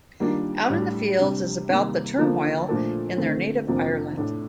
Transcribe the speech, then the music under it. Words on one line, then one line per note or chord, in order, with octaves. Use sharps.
"Out in the Fields" is about the turmoil in their native Ireland.
D#3 G3 A#3 D4 F4
A2 G3 D4
C3 G3 D4
C3 D#3 G3 A#3
D3 F3 A#3 F4 A4
A#2 F3 A3 D4 A4
D3 A3 C4
F2 C3 F3 A#3 D4
A2 A3 D4